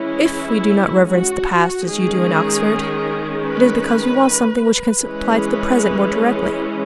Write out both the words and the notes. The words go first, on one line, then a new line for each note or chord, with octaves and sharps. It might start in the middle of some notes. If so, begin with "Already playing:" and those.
'If we do not reverence the past as you do in Oxford, it is because we want something which can apply to the present more directly.
Already playing: E3 G#3 C#4 E4
F#4
D#3 G#3 C#4 G#4
B4
E3 G#3 C#4 B4